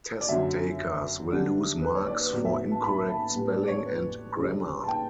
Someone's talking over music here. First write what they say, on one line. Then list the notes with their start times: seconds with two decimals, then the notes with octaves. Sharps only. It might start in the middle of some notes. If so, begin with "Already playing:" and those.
Test takers will lose marks for incorrect spelling and grammar.
0.21 D5
0.29 F#2 D3 F#3 E5
1.31 D3 G3 D4
1.82 B4
1.95 C#5
2.07 D5
2.20 B4
2.32 A2 F#3 B3 D5
2.45 E5
2.71 A5
2.84 B5
3.09 A5
3.35 A2 G3 B3
3.52 D5
3.64 D5
3.68 C#5
3.86 B4
4.37 C#3 G3 D4
4.84 A5
4.88 G5